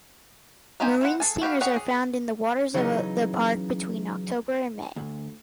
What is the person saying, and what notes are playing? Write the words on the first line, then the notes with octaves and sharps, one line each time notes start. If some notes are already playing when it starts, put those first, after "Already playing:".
Marine stingers are found in the waters of the park between October and May.
A#3 D#4 G4 C5 G#5
E3 C4 F#5
G#4 A4 G#5
F#4 G4 B4 F5
G4 G#4 C#5 F#5 G5
G#4
C#3 E3 F#3 G#3 C#4 D#4
D2